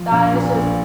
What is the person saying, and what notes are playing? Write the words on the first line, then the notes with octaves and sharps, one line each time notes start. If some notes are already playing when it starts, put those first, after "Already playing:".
that is just
Already playing: F3
A#1
A#2
A#1